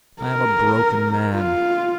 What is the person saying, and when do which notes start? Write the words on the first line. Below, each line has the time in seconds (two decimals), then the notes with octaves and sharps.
I am a broken man.
0.22 A#4
1.35 F4